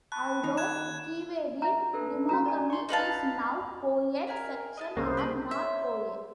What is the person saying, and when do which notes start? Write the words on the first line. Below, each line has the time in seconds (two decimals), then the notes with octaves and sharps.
Although Keewaydin Temagami is now co-ed, sections are not co-ed.
0.12 A5 B5 C#6 F#6
0.43 D#2 D#3 D#4
0.57 F#6 G#6 E7
1.62 E5 A#5
1.93 D4 A4 B4
2.29 C#4 F#4 A#5
2.46 D5 G#5
2.70 C6 C#6
2.89 D#4 B4 F5 A5
4.27 E4 G#4 A#4
4.77 D#5 F5 A5
4.97 C2 C#3 A#3 C5
5.17 G4 B4 D#5
5.51 C5 C#5 E5 C6